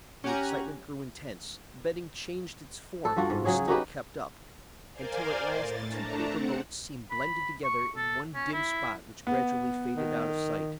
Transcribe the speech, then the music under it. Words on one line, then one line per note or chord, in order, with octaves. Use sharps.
The excitement grew intense; the betting changed its form, but was still kept up, until at last the two paper boats seemed blended together in one dim spot which gradually faded out of sight.
C#4 G4 F#5 G#5 A#5
A4
G2 G3 F4 F#4
G#2
C#3 F#3 G#4 C#5
D#4 F#4 G4 B4
A#4 C5 D5 F5 G#5 C6
A2 A6
A3 D4 A5 A#5
C4 F#5
B5
C#6
A4
C#4
E4
B3
D#3